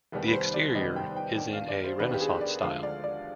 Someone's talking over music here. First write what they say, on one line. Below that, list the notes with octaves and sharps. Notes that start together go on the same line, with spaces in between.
The exterior is in a Renaissance style.
F1 D#2 D#3 G3 B3
B4
C5
D5
F1 D#2 D#3 G3 B3 D#5
G5
G5
D#2 D#3 B3 D4 G5
F5
D5
C5
D#2 D#3 B3 D4 B4
G4
G#4
D5
D2 D3 F3 G#3 F5
D5
D5